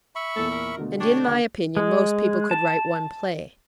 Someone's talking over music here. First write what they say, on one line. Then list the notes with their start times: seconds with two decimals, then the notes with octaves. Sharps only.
And, in my opinion, most people could write one play.
0.15 E5 B5 C#6
0.36 E2 A#2 A4
0.51 A#4
0.77 B2 D3 A3
1.00 D4 G4 C#5
1.25 D3 A#3 B3 G4 F#5
1.77 G#3
2.51 A5